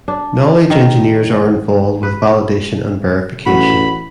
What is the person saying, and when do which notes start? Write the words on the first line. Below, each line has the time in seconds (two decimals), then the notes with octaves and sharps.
Knowledge engineers are involved with validation and verification.
0.08 D4
0.70 D#3
2.03 B4
3.46 A1 F#4 B5